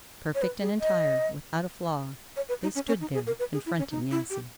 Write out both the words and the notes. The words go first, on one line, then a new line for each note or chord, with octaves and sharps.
Perfect and entire, without a flaw, they stood there, confronting Nancy.
C#5
B4
G#4
D#5
C#5
B4
D#4
C#4
C#4
D#4
G#4
A#4
B4
G#4
E4
C#4
D#4
E4
G4